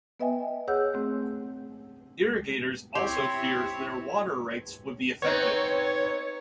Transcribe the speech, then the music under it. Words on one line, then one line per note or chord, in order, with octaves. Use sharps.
Irrigators also feared their water rights would be affected.
B3 B4 D#5 E5 G5 G#5
G#4 C#5 F#5 E6 F#6 G6
A3 C4
C4 E4 G4 C#5 C6
B3 C4 D#4 C#5